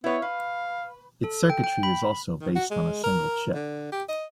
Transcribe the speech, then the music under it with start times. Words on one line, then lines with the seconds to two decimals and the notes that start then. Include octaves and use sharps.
Its circuitry is also based on a single chip.
0.04 B3 E4 C#5
0.22 B4 F5
1.24 A4
1.50 G5
1.64 G5
1.83 B5
2.41 D#3
2.55 F#4
2.71 G#3
3.03 A#4
3.54 D3
3.92 G4
4.09 D#5